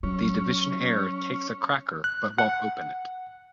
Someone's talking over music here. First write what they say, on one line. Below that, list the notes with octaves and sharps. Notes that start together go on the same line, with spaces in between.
The Divisionnaire takes a cracker but won't open it.
F#3 C#4
F#6
F#5